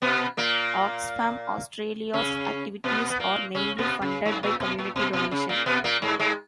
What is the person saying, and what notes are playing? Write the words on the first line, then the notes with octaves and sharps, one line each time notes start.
Oxfam Australia's activities are mainly funded by community donation.
B2 B3
A#2 A#3
C#3 C#4
B2 B3
B3
A#2 A#3
C#3 C#4
B2 B3
C#3
G#2
A#2
B2
A#2
B2
B2
C#3
A#2 A#3
B2 B3
A#2 A#3
G#2 G#3
G#2 G#3